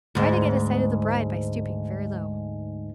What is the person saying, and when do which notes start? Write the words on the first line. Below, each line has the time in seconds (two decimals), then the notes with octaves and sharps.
"Try to get a sight of the bride by stooping very low."
0.15 D2 G#2